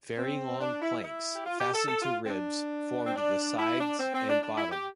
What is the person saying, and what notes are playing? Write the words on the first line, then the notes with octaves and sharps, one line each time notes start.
Very long planks, fastened to ribs, formed the sides and bottom.
C4
D4
E4
E4
G4
F4
G4
A4
A4
F4
C4
D4
C4
D4
E4
D4
C4
C4
D4
D4
E4
G4